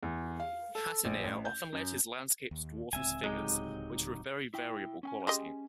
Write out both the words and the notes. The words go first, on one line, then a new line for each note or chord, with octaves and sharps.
Patinir often let his landscapes dwarf his figures, which are of very variable quality.
E2
F5
A4
A#1
A1
G6
F#2
D#2
D1 C#2 C4 E5 G#5
F#3 G#3 D#4 G4
E4 G5
C#4 G5 G#5
G#3 G4 D#5